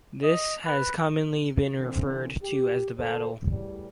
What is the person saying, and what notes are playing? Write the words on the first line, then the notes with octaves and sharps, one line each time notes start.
This has commonly been referred to as the battle.
D#5
B4
D3 E3 C4
G4
D2 A4 C5
E2 A2 G3